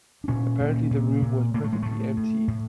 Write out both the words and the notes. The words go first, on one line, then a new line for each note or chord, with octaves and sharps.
Apparently the room was perfectly empty.
D4
A#2 C#4
A#2
A#2
A#2
A2 A#3
A3
G#3
A2 A3
A2
A2